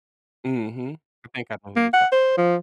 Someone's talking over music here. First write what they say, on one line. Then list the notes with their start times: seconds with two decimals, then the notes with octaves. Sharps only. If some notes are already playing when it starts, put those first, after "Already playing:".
Mhm. I think I know who you're talking about.
1.76 A#3
1.93 F#5
2.12 C5
2.37 F3